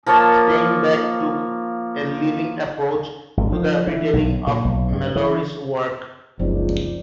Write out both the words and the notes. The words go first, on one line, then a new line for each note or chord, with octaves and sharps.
Steinbeck took a "living approach" to the retelling of Malory's work.
F3 A#3 C#5 A5
G#1
F3
E3
B1
A#2
B1
G2
E3
F#1 C#2 F3 C4 D#4 D5